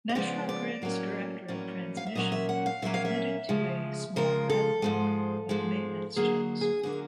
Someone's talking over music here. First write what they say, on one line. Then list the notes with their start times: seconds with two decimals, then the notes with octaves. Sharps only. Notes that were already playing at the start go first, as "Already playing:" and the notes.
National Grid's Director Of Transmission admitted to a "small backlog" of maintenance checks.
0.09 D#5
0.15 C#3 F3 G#3 B3 D5
0.49 D5
0.82 A2 F#3 A#3 C#4
1.48 A2 F#3 A#3 C#4
1.97 F5
2.07 E5
2.15 A#2 F#3 A#3 C#4 D#5
2.32 E5
2.49 F#5
2.66 F5
2.82 A#2 F#3 A#3 C#4 E5
2.94 F5
3.05 E5
3.49 C#3 F3 G#3
4.16 C#3 F3 G#3 A#4
4.50 A4
4.82 G#2 F3 G#3
5.49 G#2 F3 G#3
6.16 D3 F#3 A#3 G#4
6.61 G#4
6.83 D3 F#3 A#3 G#4